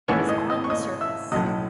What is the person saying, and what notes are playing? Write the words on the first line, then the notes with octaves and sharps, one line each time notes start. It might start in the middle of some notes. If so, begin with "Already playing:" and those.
It is on the surface.
G#1 G#2 E3 A3 C#4 C#5 C#6
D#5 D#6
D#5 D#6
C#6
D#5 D#6
E5 E6
B1 A2 F#3 D#5 D#6